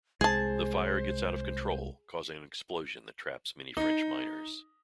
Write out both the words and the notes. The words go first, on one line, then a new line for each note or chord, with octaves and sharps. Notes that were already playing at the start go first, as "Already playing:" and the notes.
The fire gets out of control, causing an explosion that traps many French miners.
C2 G#3 G#4 C5 A5
D#4